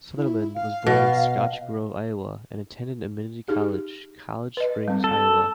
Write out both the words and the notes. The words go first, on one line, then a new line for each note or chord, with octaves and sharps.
Sutherland was born in Scotch Grove, Iowa and attended Amity College, College Springs, Iowa.
E4
F5
B2
D#4 G4 G#4
B4 D#5
G3 C4
A4